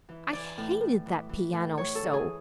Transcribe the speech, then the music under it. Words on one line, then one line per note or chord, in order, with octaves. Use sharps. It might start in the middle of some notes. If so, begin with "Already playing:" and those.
I hated that piano so!
E3
E3 D5
A2
A2
E3
E3
A2
E3 C#5
A4
E3
G#4